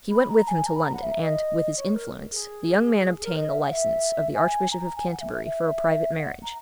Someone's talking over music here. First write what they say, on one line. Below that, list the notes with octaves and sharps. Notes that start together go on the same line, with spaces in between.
He went with him to London, and, with his influence, the young man obtained the license of the Archbishop of Canterbury for a private marriage.
B5
A#5
G#5
A#5
B5
A#5
F#5
E5
D#5
C#5
A#4
G#4
G#4
A#4
D#5
E5
F#5
E5
G#5
A#5
A#5
G#5
F#5
E5
E5
E5
F#5
A#5